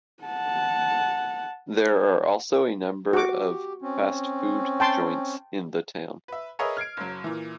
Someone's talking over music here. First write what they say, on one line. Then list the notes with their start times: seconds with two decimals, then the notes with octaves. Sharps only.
There are also a number of fast-food joints in the town.
0.23 F#5 A5
3.13 F#4 G4 D6
3.82 C4 C#4
4.80 G5 A5 C6
6.28 B4 E5
6.59 G#4 A#4 B4 C#5 D#5 E5
6.77 F6 G#6 C7 D7
6.97 F#1 F#3
7.24 A#2 E3